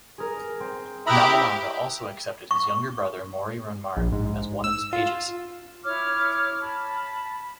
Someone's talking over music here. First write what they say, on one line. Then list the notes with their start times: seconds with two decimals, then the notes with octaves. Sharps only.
Nobunaga also accepted his younger brother Mori Ranmaru as one of his pages.
0.18 G#4 A#4
0.60 C4
1.07 E4 G4 E5 A#5 B5 D#6 F#6 G6
2.51 C#6
3.97 A#1
4.12 G#2
4.64 E6
4.93 F4
5.84 E4 C#5 D6 F6
6.61 A5 B5